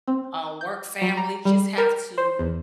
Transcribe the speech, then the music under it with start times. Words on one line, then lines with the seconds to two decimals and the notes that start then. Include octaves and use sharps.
a work family, just have to
0.07 C4
0.61 G6
1.02 F#3
1.17 A#5
1.45 G3
1.78 A#4
2.18 C5
2.39 E2